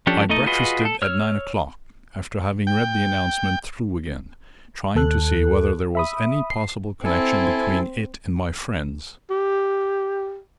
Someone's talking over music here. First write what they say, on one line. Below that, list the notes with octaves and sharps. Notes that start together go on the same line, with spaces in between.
I breakfasted at nine o'clock, after having read the announcement through again, trying to see whether there was any possible connection between it and my friends.
F3 C#4 D4 G4 A4
A3 D#4 A4 D#5
F4 F#4 G#4 B4 D#5
A4
C#5 E6 F6
G5
D#2 A4 F#6
E5 B5 D#6
C7
C4 E4 A4 G#5
G4